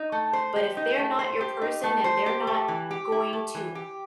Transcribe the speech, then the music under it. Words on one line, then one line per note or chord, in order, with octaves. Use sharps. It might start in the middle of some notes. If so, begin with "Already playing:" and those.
but if they're not your person, and they're not going to
Already playing: D#4
A3
C5
G4
D#4
A3
C5
G4
D#4
A3
C5
G4
A3
E3
G4
E4
A3
E3
G4